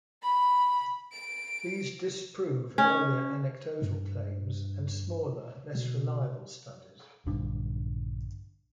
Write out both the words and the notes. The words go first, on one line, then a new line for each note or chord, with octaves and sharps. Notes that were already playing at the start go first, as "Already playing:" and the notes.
These disprove earlier anecdotal claims and smaller, less reliable studies.
B5
D7
C#4
G2
B2
A#1 G2 D3 D4